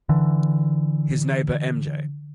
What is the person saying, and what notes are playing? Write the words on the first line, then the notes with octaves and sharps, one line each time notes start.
His neighbor M. J.
D3 E3